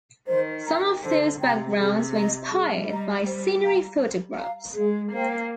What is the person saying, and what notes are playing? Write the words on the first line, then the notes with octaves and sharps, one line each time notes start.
Some of those backgrounds were inspired by scenery photographs.
D#3 C5
A#5
G5
D3 C5
C3 G5 A#5
C3 G#4
D#5 A#5
G3 G#4
D#5 A#5
C5
F5 A#5
C5
F5 A#5
G#3 G#4
A#3 C5 G5